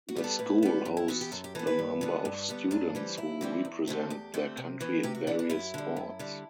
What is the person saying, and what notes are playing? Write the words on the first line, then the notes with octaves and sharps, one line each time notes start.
The school hosts a number of students who represent their country in various sports.
F#4
G3 B3
A4
A2 B4
G3 B3
F#2
E4
E3 B3 F#4
G4
F#2 A4
G4
E3 B3 A4
B4
G2
D3 G3 B3
G2
D3 G3 B3
F#2 D4
E3 G3 C4
F#2 E4
E3 G3 C4
E2
D3 A3 C4
E2 G4
D3 A3 C4
C3
E3 B3
C3 G4
F#4
E3 B3 D4
D4
F#2 E4
D3 G3
F#2
D3 G3